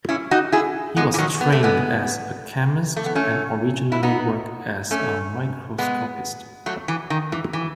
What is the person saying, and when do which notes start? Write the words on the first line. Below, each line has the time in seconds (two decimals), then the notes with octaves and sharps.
He was trained as a chemist and originally worked as a microscopist.
0.09 C#4 E4
0.31 D#4 F#4
0.52 E4 G#4
0.97 G#3 B3
1.14 E3
1.18 D#3 F#3
1.41 B3
1.52 A3
1.63 G#3 B3
2.96 A3
3.06 B3
3.15 A3 C#4
3.92 E4
4.03 B3 D#4
4.91 A3 C#4
5.78 G#3 B3
6.66 F#3 A3
6.88 E3
7.10 D#3
7.32 E3
7.53 E3